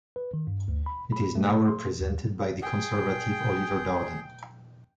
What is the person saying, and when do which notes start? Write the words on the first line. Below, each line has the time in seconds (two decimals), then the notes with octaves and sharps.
It is now represented by the Conservative, Oliver Dowden.
0.16 B4
0.34 D#3
0.47 G2
0.68 D2
0.86 B5
1.12 B5
1.35 A3
1.68 C6
2.00 D#2
2.62 G#4 G5